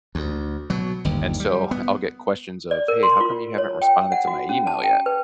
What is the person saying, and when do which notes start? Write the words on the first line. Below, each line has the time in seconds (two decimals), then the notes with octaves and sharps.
and so I'll get questions of, "Hey, how come you haven't responded to my email yet?"
0.15 D2
0.70 B2 F#3
1.05 G1 D#2
1.40 G3
1.71 B3
2.71 D5
2.88 A#4
3.03 C6
3.21 F4
3.58 C#5
3.82 G5
4.12 F#5
4.27 F#4
4.49 C#4
4.67 A5
4.83 G5
5.06 B4